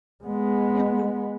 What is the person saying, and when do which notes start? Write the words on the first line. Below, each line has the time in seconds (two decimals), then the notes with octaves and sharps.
And th
0.24 G#3 B3